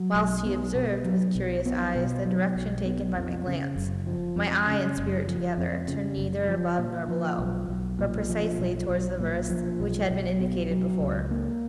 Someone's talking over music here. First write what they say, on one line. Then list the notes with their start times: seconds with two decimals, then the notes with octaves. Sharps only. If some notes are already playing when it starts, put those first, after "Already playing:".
Whilst he observed, with curious eyes, the direction taken by my glance, my eye and spirit together turned neither above nor below, but precisely towards the verse which had been indicated before.
Already playing: F#3
0.14 B1
0.45 B3
0.75 B2
1.05 F#3
1.35 B1
1.66 B3
1.96 B2
2.25 F#3
2.56 B1
2.86 B3
3.16 F2
3.47 C#3
3.76 F#1
4.07 F3
4.36 F2
4.67 C#3
4.98 F#1
5.27 F3
5.57 F2
5.88 C#3
6.18 F#1
6.48 F3
6.78 A#2
7.08 F3
7.39 B1
7.69 B1
7.99 A#2
8.29 F3
8.59 B1
8.89 B1
9.20 A#2
9.50 F3
9.80 B1
10.10 B1
10.40 B2
10.71 F#3
11.00 C#2
11.31 A#3